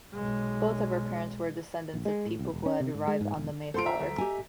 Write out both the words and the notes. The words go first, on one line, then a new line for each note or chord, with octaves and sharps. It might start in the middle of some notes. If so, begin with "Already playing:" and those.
Both of her parents were descendants of people who had arrived on the "Mayflower".
B1 G#3
A#1
G#3
A2
C2
E1
C#4
C3
G#2
G#3
G#2
E1
F4 A4 C5 C6 D7
E5 A#5
D2
G4 D#5 G#5